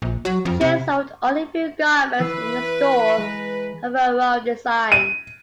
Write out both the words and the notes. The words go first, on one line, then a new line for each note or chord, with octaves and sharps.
She sold only a few garments in the store of her own design.
A#1
F#3
F2
C3
E3 B4 E6 C7
G#3 A#5
D#7